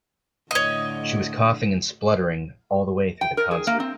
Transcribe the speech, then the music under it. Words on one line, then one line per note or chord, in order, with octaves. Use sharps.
She was coughing and spluttering all the way through the concert.
A2 D3 C#5 D#5
G5
A#4
G#4
A#3
C4